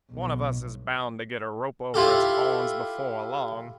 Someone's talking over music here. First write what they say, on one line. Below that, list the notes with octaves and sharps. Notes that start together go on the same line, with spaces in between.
One of us is bound to get a rope over its horns before long.
B1
E4 F4 G4 A4